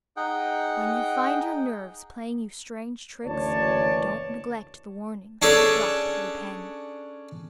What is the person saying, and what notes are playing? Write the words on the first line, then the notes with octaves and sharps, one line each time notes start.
When you find your nerves playing you strange tricks, don't neglect the warning--drop your pen.'
D#4 G#4 F#5 G5
F#1 D2 E3 C#5 D5 A5
C#4 D4 G#4 A4